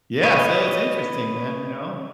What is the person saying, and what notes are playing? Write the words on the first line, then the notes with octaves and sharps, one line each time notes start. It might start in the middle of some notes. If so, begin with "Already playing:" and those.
Yeah, so it's interesting, man, you know?
B4 C#5 D#5